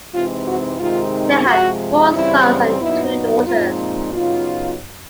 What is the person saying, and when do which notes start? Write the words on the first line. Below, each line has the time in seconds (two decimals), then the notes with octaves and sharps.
They had four sons and two daughters.
0.14 C3 E3 G#3 C4 D#4 F4
0.47 F#4
0.80 C3 D#3 G#3 C4 D#4 F4
1.47 C3 F3 G#3 F#4
2.14 C#3 E3 G3 C4 E4
2.80 A#2 F#3 B3 D#4 E4
3.47 A#2 F3 G#3 C4 D#4 F4
4.14 C#3 F#3 B3 D#4 F4